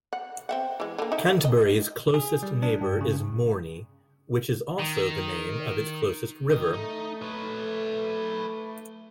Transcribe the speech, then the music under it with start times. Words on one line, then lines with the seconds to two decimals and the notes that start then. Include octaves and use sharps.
Canterbury's closest neighbour is Morney which is also the name of its closest river.
0.13 F#5
0.49 C4 E5 F#5
0.80 E3 G#3
0.98 D3 A#3
1.12 D#4 E5
1.45 D#5
2.14 G#4
2.43 G3
2.63 D4
2.81 G2
3.01 C#3
4.79 D#3
6.50 D#3 D#5
6.73 A3 D#4
7.22 B4 C#5